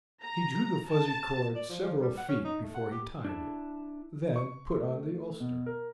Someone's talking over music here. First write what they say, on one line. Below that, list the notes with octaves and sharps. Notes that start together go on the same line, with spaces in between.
He drew the fuzzy cord several feet before he tied it, then put on the ulster.
A#5
A5
D5
F3
F3
G3
F#5
C#4
D#4
A3
F#5
G4
D4 E4 A5
C#6
A3
B2
A#4